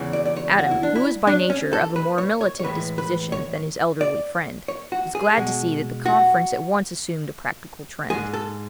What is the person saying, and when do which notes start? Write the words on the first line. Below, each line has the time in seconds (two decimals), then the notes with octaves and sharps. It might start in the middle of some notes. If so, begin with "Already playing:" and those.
Adam, who was by nature of a more militant disposition than his elderly friend, was glad to see that the conference at once assumed a practical trend.
Already playing: E2 C#3 E3 G#3
0.13 D5
0.25 D5
0.36 C#5
0.59 F#4
0.71 E4
0.83 D4
0.96 E4
1.27 D4
1.50 C#4
1.73 A4
1.96 B4
2.18 C#5
2.41 C#5
2.60 C#5
2.64 A2 E3 G#3 B4
2.98 B4
3.32 C#5
4.01 D5
4.68 C#5
4.92 F#4
5.15 G#4
5.37 B2 G#3
6.06 F#4
8.10 G#2 G#3 G#4
8.33 A4